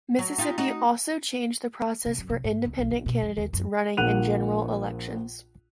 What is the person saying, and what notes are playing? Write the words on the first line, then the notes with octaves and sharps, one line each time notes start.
Mississippi also changed the process for independent candidates running in general elections.
F#3
D#4 F4 G4
D#4 F#4 D#5
C3
F#2
C3
G#2
C#2
B1
D3
B2
F2
D#2
F#2
A#1 A#3 F#5 F#6 D#7 F7